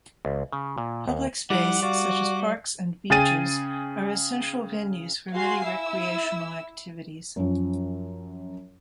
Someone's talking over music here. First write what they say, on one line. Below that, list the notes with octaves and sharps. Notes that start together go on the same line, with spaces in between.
Public space such as parks and beaches are essential venues for many recreational activities.
C#2
C#3
A#2
D#2
F3 G3 E4 F#5 D6
F#4 D5 F5
C#3 G#4 G5 A6 D#7
F#4 F5 G#5 C6 C7
E4 E6
F#2 F3 C#4